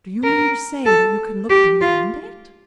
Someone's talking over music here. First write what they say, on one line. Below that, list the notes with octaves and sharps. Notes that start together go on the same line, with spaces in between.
"Do you mean to say that you can look beyond it?"
A#4
A4
G4
F4